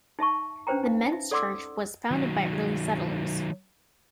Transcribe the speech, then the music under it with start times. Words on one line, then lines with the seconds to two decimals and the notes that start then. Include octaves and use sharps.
The Mentz Church was founded by early settlers.
0.19 D#4 E5 A5 C#6
0.67 C#4 D4 B4 C5 G5 A#5
0.83 D#4 F5
1.08 D#4 E5
1.31 A4 D5 F#5 C6 D6 E6
2.11 D#3 F#3